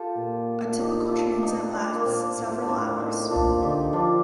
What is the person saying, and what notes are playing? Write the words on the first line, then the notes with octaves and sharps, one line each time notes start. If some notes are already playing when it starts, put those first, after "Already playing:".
A typical transit lasts several hours.
Already playing: F4 G4 A4
A#2
D#4 G4
D4 F4
D#4
D4
A#3
A#2 C4
A2
D4
A2 C4
A2 D#4
A#2 D4 F4
D3 D#4 G4
F3 D4 F4